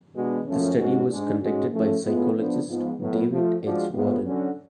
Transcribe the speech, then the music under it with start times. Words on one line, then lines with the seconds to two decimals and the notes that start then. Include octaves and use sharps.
The study was conducted by psychologist David H. Warren.
0.15 B2 G#3 B3 D4 F#4
0.46 F#2 F3 A3 C#4
0.77 G#2 G#3 C#4 F#4
1.09 G#2 G#3 D4
1.41 G#2 G#3 C#4 F#4
1.72 A2 F3 A3 C#4
2.04 A2 G#3 B3 F4
2.35 F3 B3 D4
2.67 G#2 F3 B3 F4
2.99 A2 F#3 B3
3.30 F3 A3 F4
3.61 F3 G#3 D4 F#4
3.93 A2 G#3 B3 F4
4.25 D3 F#3 C#4 F#4